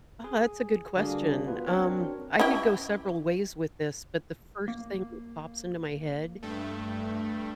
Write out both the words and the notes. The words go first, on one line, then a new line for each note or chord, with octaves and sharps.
Ah, that's a good question, um, I could go several ways with this, but the first thing that pops into my head
G#4
D3 G3 A#3 D4 F#4 G#4
A#3 B3 F4 F#4 B4
C4 D4 F#4 A#4 C#5
C#4 E4 G4
A#3
G2 A3